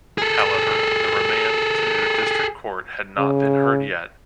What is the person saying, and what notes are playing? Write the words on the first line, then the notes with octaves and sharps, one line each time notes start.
However, the remand to District Court had not been heard yet.
G#4 A4
C#3